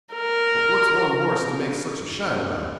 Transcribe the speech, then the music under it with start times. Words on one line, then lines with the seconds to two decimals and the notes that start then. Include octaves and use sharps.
But what's one horse to make such a shine about?'
0.14 A#4